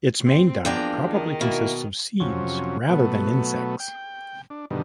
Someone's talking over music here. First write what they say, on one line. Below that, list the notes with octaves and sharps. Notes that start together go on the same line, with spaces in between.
Its main diet probably consisted of seeds rather than insects.
C4
E2 F3 A#3 B3 D4 G5 A#5
D#3
B2 A#3 E4 A#4
F2 C3 F#3 C#4
B2 F#3 A3 B3
G5
D4
G2 B2 D3 D#3